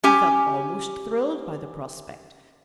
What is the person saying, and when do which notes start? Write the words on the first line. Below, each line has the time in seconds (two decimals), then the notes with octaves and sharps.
He felt almost thrilled by the prospect.
0.04 C#4 G4 G#5